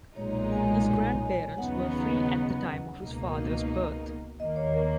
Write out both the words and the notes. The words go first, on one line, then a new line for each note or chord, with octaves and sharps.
His grandparents were free at the time of his father's birth.
B1 A#2 G#3 D#4 C#5
G#5
G#5
D#2 C#3 F#3 B3 D#4 F#5
C#2 B2 A#3 D#4
D#2 D#3 A#3 D#5
C#5
A#4